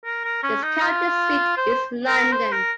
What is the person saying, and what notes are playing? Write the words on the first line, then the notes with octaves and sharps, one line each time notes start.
Its county seat is London.
A#4
A#4
C#4
D#4
F4
C5
A#4
C5
A#4